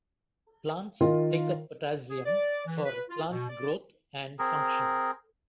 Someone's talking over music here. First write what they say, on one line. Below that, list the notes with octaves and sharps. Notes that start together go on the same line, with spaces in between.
Plants take up potassium for plant growth and function.
D#3 F4 A#4
G#4
D5
E3
B4
F4
B2
D5
C4 G#4 A#4